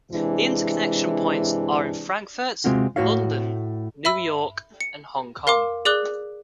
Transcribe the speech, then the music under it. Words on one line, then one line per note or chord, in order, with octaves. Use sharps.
The interconnection points are in Frankfurt, London, New York and Hong Kong.
C3 E3 G#3 D4
C3 G#3 C4 F4 F#4
A2 F#4 C#5 F5
E5 B5 E6
C#7
A#4 F5 C6 D6
G#4 D5 D6 F#6 G7